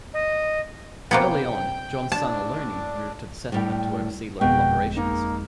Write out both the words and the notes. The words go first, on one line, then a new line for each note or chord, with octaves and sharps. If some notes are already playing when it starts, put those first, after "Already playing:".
Early on, John's son Aloney moved to the settlement to oversee local operations.
D#5
C3 A#3 B3 G5
A2 D4 A5
A2 G3 G5
G1 F2 B2 G#3 G5
A#3 D#4